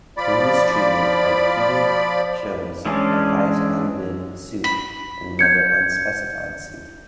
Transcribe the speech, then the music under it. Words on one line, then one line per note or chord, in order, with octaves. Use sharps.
In this treatment a cuebid shows the highest unbid suit and another unspecified suit.
F3 D5 B5
E3 G#3 C#4 D4
B5
G6 G#6 C#7